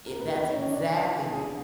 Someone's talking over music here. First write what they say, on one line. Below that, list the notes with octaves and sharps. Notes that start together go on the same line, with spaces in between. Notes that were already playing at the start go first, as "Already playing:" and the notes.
I that's exactly w
A#4
B4
D#4 D#5
C#4 C#5
D4 D5
G#4 G#5